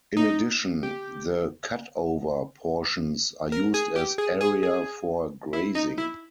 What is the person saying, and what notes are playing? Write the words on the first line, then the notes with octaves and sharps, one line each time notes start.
In addition, the cutover portions are used as area for grazing.
D#4
G4
A#4
G#4
G4
G#4
G#4
G#4
E4
D#4
E4